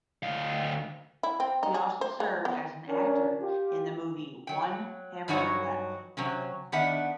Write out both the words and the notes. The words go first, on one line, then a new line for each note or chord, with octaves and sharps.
He also served as an actor in the movie "One Hamlet Less".
D2 F5
E4
C4
D#4
G#4
C5
G#3
B3
F3 C#4 D4 A#4
F4 G4
F#3 G5
G2 F3 F#3 D#4 F#4 C#5
C3 F#3 C#4
D#3 B3 D4 E5 F#5